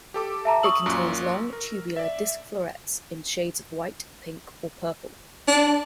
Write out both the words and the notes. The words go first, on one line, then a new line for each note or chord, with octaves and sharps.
It contains long, tubular disc florets in shades of white, pink, or purple.
G4 A4 D6
E5 A5 A#5
C#6 D#6 E6 F#7
F#2 A#2
A#4
D5 E5
D4